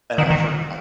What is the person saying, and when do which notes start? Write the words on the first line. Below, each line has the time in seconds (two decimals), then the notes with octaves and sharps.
And I forg I
0.18 D#3
0.30 D#3